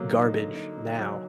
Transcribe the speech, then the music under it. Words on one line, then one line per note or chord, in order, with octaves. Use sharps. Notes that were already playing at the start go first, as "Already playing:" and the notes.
Garbage now."
Already playing: D3 F#3 A#3
D#4
D3
D#4
D#4
F#3